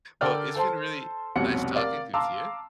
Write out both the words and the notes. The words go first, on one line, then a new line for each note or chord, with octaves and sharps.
Well, it's been really nice talking with you.
D3 A4 A#4 D5 G5 F6
A4 C5 A5 C6
F1 C2 B2 C#4 F#5 C#7
A#4 D5 F5
F5 A5 A#5 C6 D6 E6